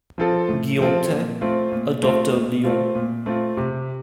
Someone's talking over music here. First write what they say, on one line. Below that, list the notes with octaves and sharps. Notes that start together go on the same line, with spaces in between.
Guillotin, a doctor of Lyons.
F3 C4 F4 A4
A2
F3 C4 F4 A4
A#2
A3 C4 F4
A#2
A3 C4 F4
A#2
A3 C4 F4
A#2
A3 C4 F4
C3